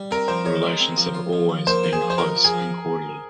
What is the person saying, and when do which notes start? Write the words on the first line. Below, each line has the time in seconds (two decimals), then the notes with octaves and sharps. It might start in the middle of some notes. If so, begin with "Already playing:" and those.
The relations have always been close and cordial.
Already playing: G3
0.11 C4 A#4
0.28 F3 C5
0.45 D#4 C#5
0.63 G#3
0.80 C4
0.97 F3
1.14 F4
1.33 F3
1.49 F3
1.67 A#3 C5
1.83 F4
1.93 G#4
2.02 F3
2.10 C5
2.18 D#4 A#4
2.36 F3
2.44 G#4
2.53 F3